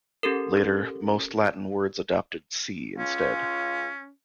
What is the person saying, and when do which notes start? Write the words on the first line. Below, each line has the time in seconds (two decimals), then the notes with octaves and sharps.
Later, most Latin words adopted C instead.
0.23 C#4 G4 A4 A#4
2.97 C#2 C#4 F4